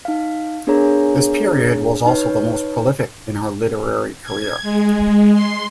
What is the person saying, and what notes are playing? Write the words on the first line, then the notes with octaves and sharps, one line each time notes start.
This period was also the most prolific in her literary career.
D#4 F5
B3 D4 G#4 A#4 C#5 A#5
D#4 B4 C#5
G#6
G#3
C6